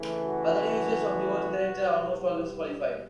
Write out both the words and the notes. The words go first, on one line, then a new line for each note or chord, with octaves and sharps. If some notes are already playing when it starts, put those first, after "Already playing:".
Other uses of the word "character" are almost always qualified.
Already playing: C#3 E3 A3
F#4
B2 G3 B3